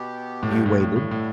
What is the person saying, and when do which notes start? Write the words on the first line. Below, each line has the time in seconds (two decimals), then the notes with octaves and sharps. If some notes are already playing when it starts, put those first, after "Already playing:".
You waited.
Already playing: B2 B3 G4
0.43 A2
0.51 G2
0.66 A2
0.81 A2
0.96 A2
1.11 A2 D3 G3